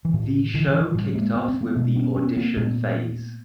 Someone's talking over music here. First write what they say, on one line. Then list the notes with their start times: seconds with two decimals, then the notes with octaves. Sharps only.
The show kicked off with the audition phase.
0.05 E3
0.14 A2 D#3
0.54 D3 E3
0.67 D3 E3
0.81 D#3 F3
0.94 A2 F3 G3
1.15 G#3 A#3
1.35 B3
1.48 C4
1.61 A3 B3
1.75 B2 A3 B3
1.96 B3 C#4
2.16 B3 C#4
2.36 A#3 C4
2.57 A#2 A3 B3